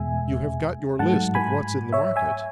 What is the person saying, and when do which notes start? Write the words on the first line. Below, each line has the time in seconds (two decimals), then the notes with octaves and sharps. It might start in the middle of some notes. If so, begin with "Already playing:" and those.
You have got your list of what's in the market?'
Already playing: E2 B2 G#3 E5 G#5
0.99 G#2 F#3 A3 F#5 A5
1.35 G#5 B5
1.92 C#5 E5
2.16 E5 G#5